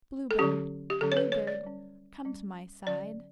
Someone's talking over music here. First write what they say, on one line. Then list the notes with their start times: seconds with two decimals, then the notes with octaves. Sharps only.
"Blue Bird, Blue Bird, Come to my side."
0.31 A4
0.39 D3 F#3 C#4 G4
0.90 G4
1.01 D3 F#3 C#4 A4
1.12 C#5
1.17 B4
1.32 C#5
1.47 D5
1.63 G3 C#4
2.25 G3 C#4
2.87 D3 F#3 C#4 D5